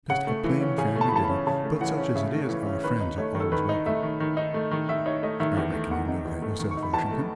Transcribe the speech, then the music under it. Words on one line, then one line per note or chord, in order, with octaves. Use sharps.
Just a plain family dinner, but such as it is, our friends are always welcome, I reckon you know that yourself, Washington.
C#3 F#5
A3
E3
C#4
C#3 G#5
A3
A5
B5
E3 A5
B5
C#4
C#3 A5
A3
E3 F#5
C#4
C#3 E5
A3
E3 C#5
C#4
D#3 B4
D#4
A3 C#5
D#3
A4
D#3 B4
D#4
A3 E5
D#3
D#3
D#4
A3
D#3
D#3 E5
D#4 C#5
A3 D#5
D#3 E5
E2 E5
A3
D#3 F#5
D#4
E2
A3
D#3
C#6
D#4
B5
E2 A5
A3